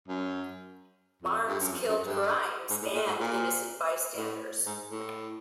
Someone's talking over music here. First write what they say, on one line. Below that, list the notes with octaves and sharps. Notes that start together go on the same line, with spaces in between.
Barnes killed Grimes and innocent bystanders.
F#2
F2
G2
F#2
F2
F#2
G2
G#2
A2
A#2
G#2
A#2
A2
G#2
A2